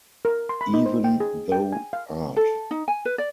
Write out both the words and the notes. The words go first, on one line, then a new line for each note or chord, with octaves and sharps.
Even though Art.
A#4
C6
B5
D#4
C5
G5
G#4
G5
G#5
F5
A4
D#4
G#5
B4
D5